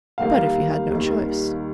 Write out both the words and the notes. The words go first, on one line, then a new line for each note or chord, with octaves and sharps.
"But if he had no choice?"
D#2 D#3 G3 A#3 F5
D#2 D#3 G3